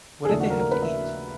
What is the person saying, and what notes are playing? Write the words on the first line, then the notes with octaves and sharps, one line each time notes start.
What did they have to eat?
G#4
D#2 C#3 F3 A3 D4 A4
F#4
A#4
A#4
B4
E5